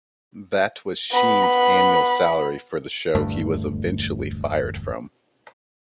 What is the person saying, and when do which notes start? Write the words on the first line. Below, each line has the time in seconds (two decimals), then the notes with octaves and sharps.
That was Sheen's annual salary for the show he was eventually fired from.
1.12 B3 B5
3.15 E1 D2 G2 A3